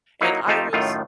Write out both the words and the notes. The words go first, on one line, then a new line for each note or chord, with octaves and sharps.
And I was
F#3 A#3 D#4 E4
F2 A3 D#4 F4 G4 A5
F#2 A2 D#3 A3 F4